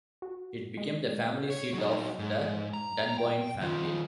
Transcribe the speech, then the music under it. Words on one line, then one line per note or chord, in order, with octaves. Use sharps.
It became the family seat of the Dunboyne family.
F#4
G#3
C#5
F#3 D#4
G#2
A#5
G5
D#3 F4